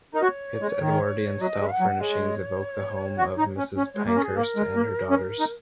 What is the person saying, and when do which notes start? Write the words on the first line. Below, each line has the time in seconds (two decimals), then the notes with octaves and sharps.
Its Edwardian style furnishings evoke the home of Mrs Pankhurst and her daughters.
0.13 D#4 A#4
0.22 F#4 C#5
0.61 G#3
0.81 D#3
1.40 F#3 D#5
1.60 G#3
1.71 F#5
1.80 F#3
1.99 G#3 C#5
3.18 F#4
3.38 D#4
3.58 C#4
3.77 C#4 C#5
3.92 G#3 C#5
4.07 A#3 A#4
4.16 C#4
4.22 G#4
4.36 A#3 A#4
4.56 G#3
4.76 A#3
5.10 C#4
5.40 D#4